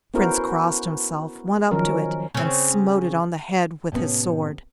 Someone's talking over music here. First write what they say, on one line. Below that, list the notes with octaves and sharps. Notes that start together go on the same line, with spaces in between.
The Prince crossed himself, went up to it, and smote it on the head with his sword.
B3 C#4 E4 F#4 A#4 C5
D#3 F3 F#3 C#4 A#4
C#3 C4
A2 C3 B3 C#4